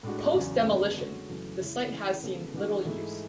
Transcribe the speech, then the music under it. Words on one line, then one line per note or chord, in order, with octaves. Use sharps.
Post-demolition, the site has seen little use.
A2 G#3 D4 F#4
E2 C#3 F#3
F#2 D3 G#3 B3 D4
D3 G#3 C#4 F#4
F#2 C#3 E3 A3
C#3 G#3 C#4 E4
E3 A3 C#4 E4 G#4
C#3 G#3 B3 F#4 A4
E3 G#3 D4 F#4 A4
G#2 E3 A3 E4 G#4